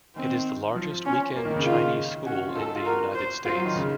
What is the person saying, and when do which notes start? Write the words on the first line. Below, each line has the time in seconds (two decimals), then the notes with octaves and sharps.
It is the largest weekend Chinese school in the United States.
0.15 D#3 C4
0.76 F3
1.05 C#4
1.36 A#3
1.45 D#3
1.56 C#3
1.65 D#3 F4
2.25 C#4 F#4
2.48 F4
2.55 D#4 A4
2.75 F4
2.85 F#4 A#4
3.15 C5
3.45 F4 C5
3.55 F#3
3.65 D#3
3.76 C#3